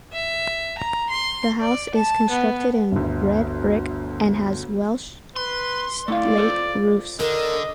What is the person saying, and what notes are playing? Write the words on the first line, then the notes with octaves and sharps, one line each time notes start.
The house is constructed in red brick and has Welsh slate roofs.
E5
A#5
C6
D5
A5
B3
G1 D2
B4 C6
A3 E4 D5 F5
F4 A4 C5
D3 A#4 D#5